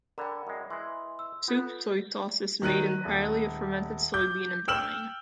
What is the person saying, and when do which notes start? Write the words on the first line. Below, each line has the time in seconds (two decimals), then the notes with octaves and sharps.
Soup soy sauce is made entirely of fermented soybean and brine.
0.18 D3 A#4 D5 G5 A#5 B5
0.47 F#2 G#3
0.70 E3 G#3 C6
1.19 E6
1.48 B3 F4 A4 B4 G6
2.62 D#3 F#3 F#6 D#7
3.05 D#1
4.14 D6 G6
4.68 G5 E6 F6 E7 F#7